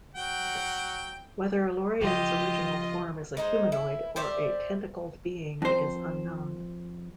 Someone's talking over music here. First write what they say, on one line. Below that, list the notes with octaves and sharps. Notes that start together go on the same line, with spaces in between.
Whether Lorien's original form is a humanoid or a tentacled being is unknown.
F#3 F#5 G5
C#3 F3 F4 G4 D#5
G#3 D#4 C5
E4
G4 C5 D5 E5
F2 C5